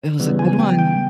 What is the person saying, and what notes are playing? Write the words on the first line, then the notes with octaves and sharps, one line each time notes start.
It was a good one.
C#3 E3 G3 B3
G#5
G5
G5